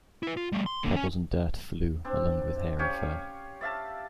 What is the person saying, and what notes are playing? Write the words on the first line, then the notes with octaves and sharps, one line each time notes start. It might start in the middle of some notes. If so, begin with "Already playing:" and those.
Pebbles and dirt flew along with hair and fur.
E4 B4
F4
G3 A3
C6
D3 A#3
C#4
C4 D4
C#4 G4 C#5 F5
D5 E5 F5 A5